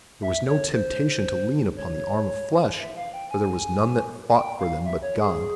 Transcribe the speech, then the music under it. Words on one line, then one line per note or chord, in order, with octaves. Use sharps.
There was no temptation to lean upon the arm of flesh, for there was none that fought for them but God.
E5
C#5
C5
C#5
E5
F5
G5
G#5
G5
F5
E5
C#5
G#4